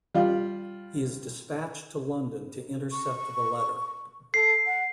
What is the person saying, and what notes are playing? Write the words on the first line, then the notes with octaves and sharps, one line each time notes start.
He is dispatched to London to intercept the letter.
G3 F4
C#6
A4 C7
F#5